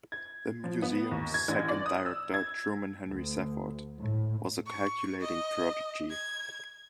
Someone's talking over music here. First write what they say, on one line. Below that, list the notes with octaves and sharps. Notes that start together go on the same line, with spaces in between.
The museum's second director, Truman Henry Safford, was a calculating prodigy.
G#6
F3
B3
D#2
G#6
A1
D5
D#6
E6
G#6
D2
A2
C#6
D#5
G#6